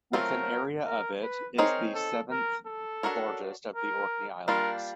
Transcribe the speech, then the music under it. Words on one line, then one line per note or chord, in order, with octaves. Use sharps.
With an area of it is the seventh largest of the Orkney Islands.
F#3 A3 C4 F4 A#4
A#4
B4
C4 D#4 G#4 A#4 C#5
A4
A#4
A4
D4 F#4 A#4 C#5
A#4
G3 A#3 D4 F4 A#4